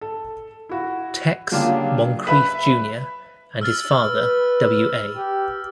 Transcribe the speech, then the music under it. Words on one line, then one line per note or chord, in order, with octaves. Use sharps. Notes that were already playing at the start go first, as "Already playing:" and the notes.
"Tex" Moncrief Junior and his father W. A.
A4
E4 F#4
C#3 F#3 A#3 D4 F4 G4
B4 E5 B5
E6 F6 A6
B4
G4